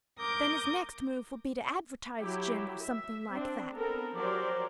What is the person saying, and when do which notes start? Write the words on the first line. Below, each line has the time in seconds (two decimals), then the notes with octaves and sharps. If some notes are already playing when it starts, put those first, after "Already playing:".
Then his next move will be to advertise Jim, or something like that.
0.19 A#4 D6 D#6 G6
2.20 F#3 E4 G4
2.81 E5
3.31 C4 D4
3.73 B3 C4 A4 A#4
4.16 F3 F#3 G4 A#4 C5 D5